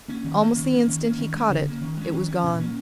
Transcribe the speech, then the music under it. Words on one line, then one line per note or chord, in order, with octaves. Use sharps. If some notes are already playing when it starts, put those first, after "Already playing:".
Almost the instant he caught it it was gone.
A#3 C#4
D#3
A#3 C#4
D#3
A#3 C#4
D#3
A#3 C#4
D#3
G#3 C#4
C#3
A#3 C#4
D#3
G#3 C#4
D#3
C#4
A#2
A#3 C#4